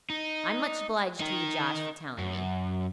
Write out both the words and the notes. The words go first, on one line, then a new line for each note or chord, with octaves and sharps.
I'm much obliged to you, Josh, for telling me.
D#4
D#4 A#4
F#2